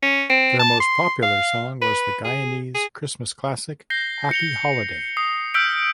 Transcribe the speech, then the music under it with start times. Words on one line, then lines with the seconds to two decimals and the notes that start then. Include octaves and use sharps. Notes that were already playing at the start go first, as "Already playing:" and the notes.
Their most popular song was the Guyanese Christmas classic "Happy Holiday".
0.02 C#4
0.30 C4
0.59 A5
0.80 C6
1.22 F5
1.82 B4
2.25 G#4
2.75 G#4
3.90 G6 A#6 C7 G7
4.31 C#7 F7 G7
5.17 D#6 C7
5.54 E6 F6 G6 B6 D7